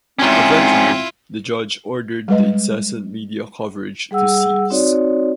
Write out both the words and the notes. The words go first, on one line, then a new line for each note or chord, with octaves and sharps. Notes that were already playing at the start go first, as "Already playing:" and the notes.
Eventually, the judge ordered the incessant media coverage to cease.
G#2 C4 C#4 E4 F4
G3 G#3 B4 D#5
G3 G#4 F#5 E6
C4 D#4 F#4 C#5 D5